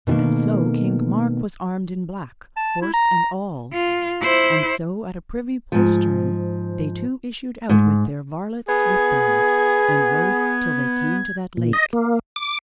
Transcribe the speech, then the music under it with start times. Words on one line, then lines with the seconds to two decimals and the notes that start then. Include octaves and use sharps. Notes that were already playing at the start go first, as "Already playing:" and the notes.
And so King Mark was armed in black, horse and all; and so at a privy postern they two issued out with their varlets with them, and rode till they came to that lake.
0.07 B2 D#3 G3 A3 A#3
2.56 A5
2.82 E4
2.93 A#5
3.73 F4
4.22 E4 C5
5.72 G#2 F3
7.69 G#2
8.68 B3 G#4 G#6
11.57 A#2
11.73 D#5
11.93 A#3
12.36 D6